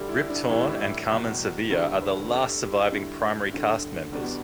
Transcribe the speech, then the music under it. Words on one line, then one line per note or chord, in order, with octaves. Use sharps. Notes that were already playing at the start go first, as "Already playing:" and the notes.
Rip Torn and Carmen Sevilla are the last surviving primary cast members.
Already playing: D2 D3 G3 D4
E4
D4
A2 E3 G3 E4
D4
E4
E2 B2 G3 G4
E2 D3 G3 A4
B4
G2 G3 A4
G4
E4
G4
G2 D3 G3 E4
G2 D3 G3
E2 B2 G3 D4
B3